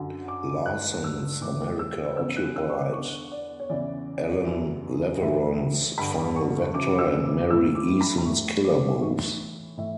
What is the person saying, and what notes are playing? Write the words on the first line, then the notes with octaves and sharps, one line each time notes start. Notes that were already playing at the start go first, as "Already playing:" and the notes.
Larson's "America Occupied", Allan Leverone's "Final Vector", and Mary Eason's "Killer Moves".
Already playing: F#2 D3
D6
G2 D3 F#6
E6
A2 E3 D6
E6
E2 C#3 E3 E6
F#6
E6
C#6
D6
E2 D3 C#6
D5
C#5
E2 C#3 E3 D5
F#2 E3
A2 E3 E5
G2 D3 B5
C#6
F#2 C#3 E3 D6
E6
D6
A2 E3 E6
D6
B5
B5
A2 E3 C#6
D6
A2 E3 C#6
A2 E3 E5